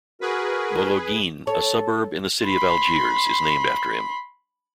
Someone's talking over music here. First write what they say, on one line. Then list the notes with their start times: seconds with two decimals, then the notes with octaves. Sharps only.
Bologhine, a suburb in the city of Algiers, is named after him.
0.21 F#4 G#4 A#4 B4
1.47 A4 C#5 A5
2.45 B5 C6